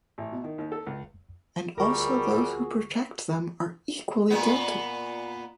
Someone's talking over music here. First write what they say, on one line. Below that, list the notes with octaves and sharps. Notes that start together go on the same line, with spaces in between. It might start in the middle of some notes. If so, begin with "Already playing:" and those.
And also those who protect them are equally guilty.
A1
B2
D#3
D#2
A4
C#2
D2 F3 G3 F#4 G#4 A#4 C#6
A#2 B3